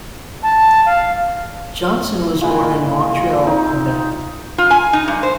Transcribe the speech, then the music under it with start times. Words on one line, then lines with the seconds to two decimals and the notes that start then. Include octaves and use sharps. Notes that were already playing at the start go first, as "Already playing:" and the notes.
Johnson was born in Montreal, Quebec.
0.43 A5
0.86 F5
2.41 A#2 E3 G#3 F4
3.44 C4 D#4
4.58 F4
4.70 G#5
4.93 D#4
5.08 G2
5.23 C5